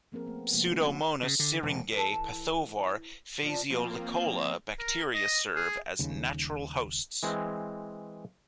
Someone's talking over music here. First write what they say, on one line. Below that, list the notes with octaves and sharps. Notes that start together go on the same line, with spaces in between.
Pseudomonas syringae pathovar "phaseolicola" bacteria serve as natural hosts.
F3 A#3 C4 G#4 A#4
A3 B3
C3 F3 G#3 A#3 B3
A3 C#4 F#4
C#3
D3
E1
E3 A4
F3 D4
F3 A#3 C4 F4
A#4
D#5
G#4
D#1 D#2 C#3
E3 G#3 C4